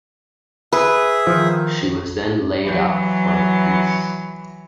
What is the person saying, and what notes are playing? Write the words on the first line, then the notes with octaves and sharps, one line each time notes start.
She was then laid up for the peace.
G#4 B4 E5
D#3 F3
E3 F#3